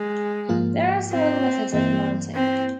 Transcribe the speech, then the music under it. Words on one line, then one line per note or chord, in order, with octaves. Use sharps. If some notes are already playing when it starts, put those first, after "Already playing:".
There are several methods of mounting.
Already playing: G#3
G#2 F3 A#3 F4
C4
G2 E3 A#3 C4 E4
C4